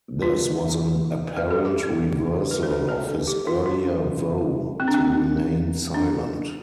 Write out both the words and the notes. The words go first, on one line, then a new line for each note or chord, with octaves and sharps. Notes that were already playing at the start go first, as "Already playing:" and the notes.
This was an apparent reversal of his earlier vow to remain silent.
F4
B4
A4
G4
A4
B4
C5
B4
B4
A4
G4
F4
F4
C4
D4
C4
D4